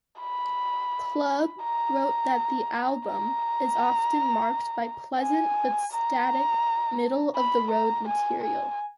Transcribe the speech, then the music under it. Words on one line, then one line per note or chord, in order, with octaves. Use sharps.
Club" wrote that the album "is often marked by pleasant but static, middle-of-the-road material.
B5
A#5
A#5
G#5
A#5
B5
A#5
G#5
G#5